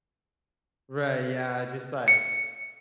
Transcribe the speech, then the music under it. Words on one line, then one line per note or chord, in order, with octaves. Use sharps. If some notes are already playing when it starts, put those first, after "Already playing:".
Right, yeah, just like
C#7